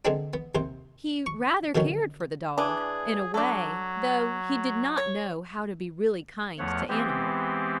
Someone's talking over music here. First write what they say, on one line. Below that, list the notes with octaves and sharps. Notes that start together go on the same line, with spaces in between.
He rather cared for the dog, in a way, though he did not know how to be really kind to animals.
D3 G#3 B3 C4 D4
B3
D#2 C3 C5
C#6
B2 D3 D#3 F#3 C#4
E3 D4 G#4
F#3 D4 A4
C#5
E2 F3 A3 C#5 F#5
E3 G#3 B3 C4 G4